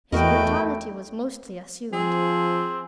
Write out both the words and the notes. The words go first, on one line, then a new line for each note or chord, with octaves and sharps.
His brutality was mostly assumed.
E2 A3 F#4 A#4 B4 D#5 G5
F3 C4 G#4